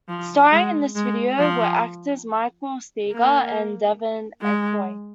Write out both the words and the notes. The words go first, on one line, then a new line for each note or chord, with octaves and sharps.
Starring in this video were actors Michael Steger and Devon Aoki.
F3
G#3
G#3
F3
A#3
G#3